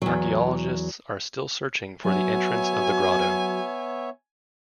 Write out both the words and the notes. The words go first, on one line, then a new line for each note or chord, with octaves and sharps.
Archaeologists are still searching for the entrance of the grotto.
E2 F#3
F#3 B3 C#5 E5 G#5